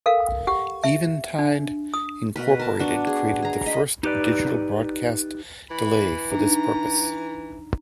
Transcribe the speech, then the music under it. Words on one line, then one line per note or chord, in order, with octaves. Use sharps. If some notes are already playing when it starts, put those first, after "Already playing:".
Eventide, Incorporated created the first digital broadcast delay for this purpose.
A4 A#4 F5
G4 F#5
E5
D4
D#6
B2 A#4 B4
A#4 A5
B3 D4 F#4
G#4
G#4 A#5
D#5 B5
D#4 G4 B4 D5
E3 B5
D4 D#4 A#5